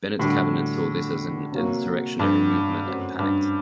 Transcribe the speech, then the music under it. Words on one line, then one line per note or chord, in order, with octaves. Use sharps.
Bennett's cabinet saw this as an insurrectionary movement and panicked.
A2 D3 G3 D4 F#4
C3 F#3 A#3 F#4
G2
F#2 F#3 A3 C4
G2